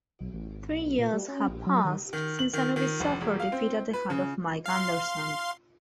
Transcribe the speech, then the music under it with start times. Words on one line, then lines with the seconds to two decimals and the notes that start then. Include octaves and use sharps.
Three years have passed since Anubis suffered defeat at the hand of Mike Anderson.
0.21 B1
0.34 A1
0.48 G#1
0.71 B1
0.85 B1
0.99 A#2
1.13 G3
1.28 C#4
1.48 A#1
1.67 F#3
1.85 D#3
2.13 D#3
2.39 F#7
2.53 D#3
2.76 D#3
3.00 F1
3.21 E1
3.40 F5
3.52 C4
3.93 B4
4.10 C#3
4.66 F5 C6